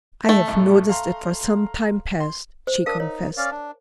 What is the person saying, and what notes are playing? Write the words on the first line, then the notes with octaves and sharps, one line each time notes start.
"I have noticed it for some time past," she confessed.
A3
B1 A2
F5 A#5 C6
C6
C5
D4 A#4 F5 D#6
D#4 C#5
C#4 D5 F5
D4